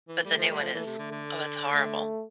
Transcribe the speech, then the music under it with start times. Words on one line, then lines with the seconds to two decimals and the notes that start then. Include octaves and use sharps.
But the new one is Oh, it's horrible.
0.08 E3
0.25 G3 A3
0.38 F3
0.51 G3
0.62 F3
0.74 E3 A3
0.86 C3
0.99 D3
1.12 D3
1.73 A3